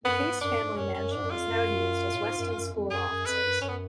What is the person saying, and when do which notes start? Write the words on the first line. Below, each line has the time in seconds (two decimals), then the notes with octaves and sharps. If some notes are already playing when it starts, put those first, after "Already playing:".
The Case family mansion is now used as Weston school offices.
0.05 F#2 B3
0.24 G#2
0.41 F#2 D4
0.59 G#2
0.77 F#2 C#4
0.94 F#2 C#4
1.12 G#2 D4
1.24 F#2
1.30 F2 F4
1.48 F#2
2.14 A2
2.19 G#2
2.37 F#2
2.55 F#2
2.73 F2
2.91 F#2 G#4
3.08 F#2
3.26 F2 B4
3.44 F#2
3.61 F#2 C#4
3.69 B3